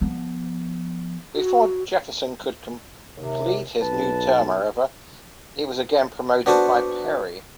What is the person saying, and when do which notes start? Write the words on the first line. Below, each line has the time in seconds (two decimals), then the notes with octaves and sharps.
Before Jefferson could complete his new term, however, he was again promoted by Perry.
0.01 F3 B3
1.35 F#4
3.17 D#2 C3
3.82 B1 B4 A5
6.46 B3 D4 F#4 A4 C5